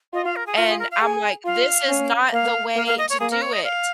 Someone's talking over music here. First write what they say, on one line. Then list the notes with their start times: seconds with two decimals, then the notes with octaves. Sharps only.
and I'm like, 'This is not the way to do it.'"
0.13 F4 D#5
0.25 F5
0.36 A#4
0.47 G#4
0.57 F4 A#4
0.69 G#4
0.79 A#4
0.91 F5
1.01 G#4 G#5
1.45 F4 F5
1.89 C#4
2.33 A#3 F5
2.76 A#3 F5
2.87 F5
2.98 D#5
3.10 C#5
3.20 A#3 G#4
3.31 A#4
3.42 C#5
3.53 D#5
3.64 F5